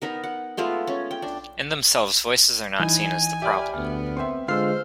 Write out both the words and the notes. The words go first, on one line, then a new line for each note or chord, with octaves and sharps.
In themselves voices are not seen as the problem.
B3 D#4 A#4
F#5
G#3 A3 B3 F4
C#4
G5
D4
E3 D#4 D#5 G#5
G4 D5 E5 B5 F6
D2 B3
C4 E5 G5 C6
D3 G#3 F4 C5 E6 F6 C7